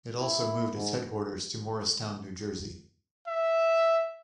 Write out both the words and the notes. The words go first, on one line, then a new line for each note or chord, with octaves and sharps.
It also moved its headquarters to Morristown, New Jersey.
E4
G#2
E5